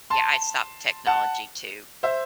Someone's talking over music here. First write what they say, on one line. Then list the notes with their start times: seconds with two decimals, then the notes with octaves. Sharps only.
Yeah, I stopped technology too,
0.10 A5 C6
1.07 F#5 A5
2.03 C5 E5